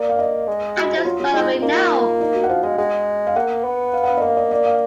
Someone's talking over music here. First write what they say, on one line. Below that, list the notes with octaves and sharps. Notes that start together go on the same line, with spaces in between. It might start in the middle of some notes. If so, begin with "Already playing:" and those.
I’ve just thought of it now.
Already playing: A#3 D5
F5
D#5
G#3
F#4
F3
F#3 F4
F#3 F4
G#3 D#4
A#3 D#4
F4
D#4
D#4
F#4
F#5
F3 F5
G#3 F5
G#3 F#5
F5
A#3 F#5
B3
F5
F#5
F5
D#5
A#3 F5
D#5
D5
F5